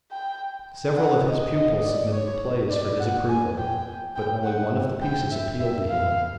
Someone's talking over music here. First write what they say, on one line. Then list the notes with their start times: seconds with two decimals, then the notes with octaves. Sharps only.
Several of his pupils submitted plays for his approval, but only one of the pieces appealed to him.
0.11 G5
0.97 F#5
1.27 D#5
1.56 D#5
1.85 D5
2.13 C#5
2.70 D5
3.00 F#5
3.29 G#5
3.58 G5
4.16 G5
4.44 F#5
5.02 G5
5.32 E5
5.60 E5
5.89 F5